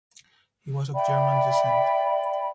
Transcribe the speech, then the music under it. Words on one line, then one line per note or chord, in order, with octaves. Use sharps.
He was of German descent.
D5 E5 G5 B5